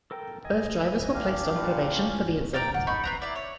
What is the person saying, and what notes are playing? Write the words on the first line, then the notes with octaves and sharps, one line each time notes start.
Both drivers were placed on probation for the incident.
A4 A#4 G5
D#5 G#5
E3
D4 G4 F5
A#2 E4 F4
C#4
A#4 D5 G5 A#5
F#5
D#4 B5 C#6 G6
C4 B4 A#5
E4 D5
C#5